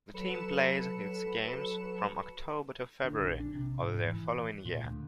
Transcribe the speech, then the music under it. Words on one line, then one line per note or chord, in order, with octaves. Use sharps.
The team plays its games from October to February of the following year.
F#3 A4 B4 B5 C#7 E7
D3
A#1
D4
C3
G#2
E3
A#2
D2